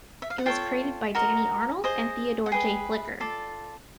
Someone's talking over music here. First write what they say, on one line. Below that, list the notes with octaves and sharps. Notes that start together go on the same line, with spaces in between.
It was created by Danny Arnold and Theodore J. Flicker.
E5
F5
F#5
F4 A4 C#5 G5
F#4 A#4 D#5
G#4 C5 D#5
F#5
G#4 B4 D#5 G5
F4 A4 D5